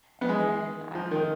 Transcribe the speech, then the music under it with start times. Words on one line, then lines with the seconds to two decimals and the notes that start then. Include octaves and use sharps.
and then I've
0.21 B3
0.29 G#3
0.95 F3
1.11 D#3